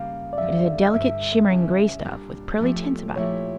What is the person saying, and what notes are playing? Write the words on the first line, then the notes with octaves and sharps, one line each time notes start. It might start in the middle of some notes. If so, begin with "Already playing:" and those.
It is a delicate, shimmering grey stuff with pearly tints about it.
Already playing: C#3 G3 A#3 F5
D5
F2 D3 G3 E5
G2 D3 G3 E5
D2 C#3 G3 C#4 E4
A#2 G3 D4
F3 A3 C#4 E4 G4
A#2 F3 A3 E4 G4 C#5